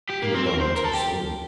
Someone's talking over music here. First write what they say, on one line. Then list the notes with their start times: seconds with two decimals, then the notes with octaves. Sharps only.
He was none too soon.
0.10 G4
0.22 A#3
0.34 C4
0.47 A#4
0.60 C5
0.76 A#4
0.85 A4
0.94 G4